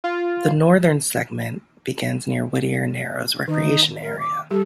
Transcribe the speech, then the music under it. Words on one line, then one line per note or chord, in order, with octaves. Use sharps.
The northern segment begins near Whittier Narrows Recreation Area.
F4
D#3 D#4
A#4
D6
G3 G4 A4